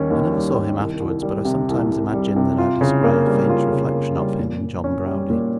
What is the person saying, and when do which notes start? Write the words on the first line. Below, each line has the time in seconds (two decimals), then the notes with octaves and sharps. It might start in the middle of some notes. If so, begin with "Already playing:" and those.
I never saw him afterwards, but I sometimes imagine that I descry a faint reflection of him in John Browdie.
Already playing: D#2 D#3 G3 C#4
0.10 D#2
0.32 G3
0.56 D#3
0.78 C2
1.00 C2
1.23 G3
1.45 C3
1.69 C2
1.90 C2
2.13 G3
2.36 C3
2.58 F4
2.81 C#3
3.04 A#3
3.27 G3
3.49 F4
3.72 C#3
3.94 A#3
4.16 G3
4.39 A#2
4.61 A#2
4.84 C#4
5.06 G3
5.30 A#2